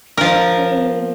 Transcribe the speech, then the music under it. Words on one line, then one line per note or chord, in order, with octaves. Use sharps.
Does the,
F3 A#4